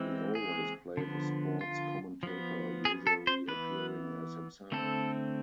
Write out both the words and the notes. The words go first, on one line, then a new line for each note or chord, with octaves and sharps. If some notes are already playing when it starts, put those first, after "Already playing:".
He always played a sports commentator, usually appearing as himself.
Already playing: E3 G#3 C4
G#4
D3 F3 B3
F4
F3 B3
G#4
A4
C5
E3 B3 B4
D3 A3 C4 A4